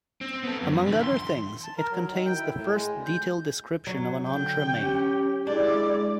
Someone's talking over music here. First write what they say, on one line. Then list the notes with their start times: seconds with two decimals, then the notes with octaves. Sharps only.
Among other things, it contains the first detailed description of an entremet.
0.21 C4
0.43 B3 A4
0.62 F#2
0.87 D3 E3
1.00 E5 C6
1.64 A5
1.77 A#4
1.91 F#3
2.12 D#3
2.25 G5
2.38 E4
2.57 A2
2.72 G#3
2.93 D2
3.05 G6
3.87 F#3
4.26 D3 G5
4.76 C#4 G4
5.47 G#3 D4 E4 D5